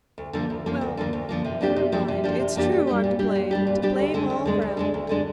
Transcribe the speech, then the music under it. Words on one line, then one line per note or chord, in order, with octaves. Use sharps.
Well, never mind, it's true I'm to blame, to blame all round.
D2
D3 F3 A#3
D2
D3 F3 A#3
D2
D3 F3 A#3
D2
D3 F3 A#3
C3
F3 A#3 D4 G4
C3
F3 A#3 D4 G4
C3
F3 A#3 D4 G4
C3
F3 A#3 D4 G4
A#2
G3 D4 G4
A#2
G3 D4 G4
A#2
G3 D4 G4
A#2
G3 D4 G4
D2
D3 G#3 D4
D2
D3 G#3 D4
D2
D3 G#3 D4
D2
D3 G#3 D4